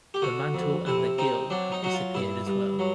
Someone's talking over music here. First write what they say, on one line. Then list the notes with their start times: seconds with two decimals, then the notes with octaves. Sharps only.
The mantle and the gill have disappeared as well.
0.14 G4
0.22 D3 F#4
0.54 F2
0.86 C3 E4
1.18 C4 D#4
1.50 F#3 D4
1.72 D#4
1.82 F#3 F#4
1.94 F4
2.15 G2 E4
2.47 G2
2.79 F#3